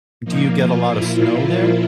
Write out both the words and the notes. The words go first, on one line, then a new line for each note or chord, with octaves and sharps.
do you get a lotta snow there?
A#2 F3 A#3 D#4
F4
E4